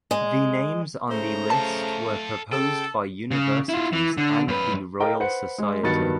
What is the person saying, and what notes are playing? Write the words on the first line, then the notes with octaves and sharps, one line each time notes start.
The names on the list were proposed by universities and the Royal Society.
G#3
C#3 A3 C5 A#5
A4 F5 A5
C#3 A4 G5
C#3
E4 F4
E3
D3
F#2 B4
A4 A#4 D#5 F5 G5 A#5
B4 C5 F#5 C#7
G#3
G2 D#3 F#3 B3 A6 C#7